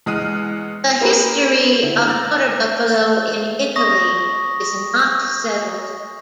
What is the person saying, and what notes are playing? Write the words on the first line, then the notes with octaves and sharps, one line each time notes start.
The history of water buffalo in Italy is not settled.
E2 G#3 D#6 F6 F#6 D#7
A#3 C4 G#4 A#4 B4
D3 E4
A#5 E6 A6
C#6 D#6 A#6